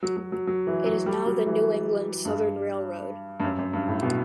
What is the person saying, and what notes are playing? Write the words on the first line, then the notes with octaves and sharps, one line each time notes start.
It is now the New England Southern Railroad.
F#3
F#3
F#3
F#3
E3
F#3
G3
F#3
E3
G2
G2
F#2
F#2
G2
A2
B2